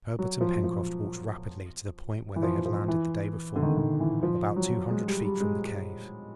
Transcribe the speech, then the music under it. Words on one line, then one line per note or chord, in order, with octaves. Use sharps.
Herbert and Pencroft walked rapidly to the point where they had landed the day before, about two hundred feet from the cave.
F#3
F3
F3
E3
F3
F3
E3
D3
D#3
D3
D#3
E3
F3
F#3
G#3
G3
G3
G#3